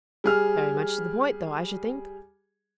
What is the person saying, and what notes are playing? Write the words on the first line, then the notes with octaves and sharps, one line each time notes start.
'Very much to the point though, I should think.
G3 G#4 F6